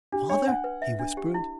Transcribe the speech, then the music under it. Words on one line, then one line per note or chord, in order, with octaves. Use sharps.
"Father!" he whispered.
D4 G4
D4 C#5
D4 F#5
B4
E5
D4
G4
E4